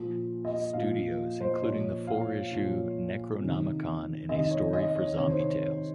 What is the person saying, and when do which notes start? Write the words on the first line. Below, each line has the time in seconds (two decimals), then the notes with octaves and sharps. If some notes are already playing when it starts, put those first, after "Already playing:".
Studios, including the four-issue "Necronomicon" and a story for "Zombie Tales".
Already playing: A#2 F3
0.45 D#5
0.73 A#2 F3 F5
1.40 C5
1.62 A#2 F3 C#5
2.07 F5
2.51 A#2 F3
3.39 C3 D#3
4.29 C3 D#5
4.32 D#3
4.51 C#5
4.73 D#5
4.96 C#5
5.17 C3 D#3 C#5
5.29 C5
5.40 C#5
5.62 C#5